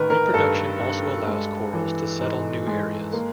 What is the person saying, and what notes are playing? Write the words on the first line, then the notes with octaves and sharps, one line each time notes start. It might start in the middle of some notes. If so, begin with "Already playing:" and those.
Reproduction also allows corals to settle new areas.
Already playing: A1 D#3 A#4 B4
A#4
G2 A4
G2
G#3
E3
G#2
G#3
A#3